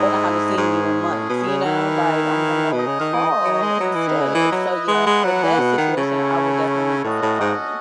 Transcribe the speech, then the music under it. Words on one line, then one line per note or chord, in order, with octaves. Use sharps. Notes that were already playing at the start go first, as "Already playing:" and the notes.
when I haven't seen you in months, you know, like, I'm gonna call instead, so, yeah, for that situation I would definitely prefer calling
Already playing: G#2 E4 A4 D#5
G#2 G#3 C#4 G#4
A2
B2
C#3
D#3 E4 G#4 B4
B2 A3 D#4 G#4 D#5
C#3
D#3
E3
F#3
G#3
F#3 E4 B4 D#5
E3
D#3
C#3
E3
F#3
G#3 B3 E4 B4 F#5
G#3
F#3
E3
B2
D#3
C#3 A3 C#4 E4 A4 C#5
A2 C#4 F#4 A4 D#5
A2
G#2